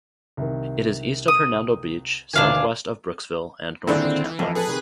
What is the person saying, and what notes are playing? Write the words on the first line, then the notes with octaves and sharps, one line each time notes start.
It is east of Hernando Beach, southwest of Brooksville, and north of Tampa.
C2 D#3
D#6
E1 D2 D#3 D4 F5 G#5
A#2 D3 D#3 C4 E4 G#4 D5
E3
F2 F4 D#5
G#4 A4 B4 A5 F#6
C3 D#3